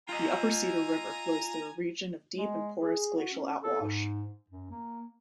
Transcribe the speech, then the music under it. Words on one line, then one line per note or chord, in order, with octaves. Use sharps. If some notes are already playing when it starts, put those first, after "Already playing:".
The upper Cedar River flows through a region of deep and porous glacial outwash.
F4 D#5 G#5 A#5
G#3
G#4
F#4
C#4
A4
G#2
F#2
A#3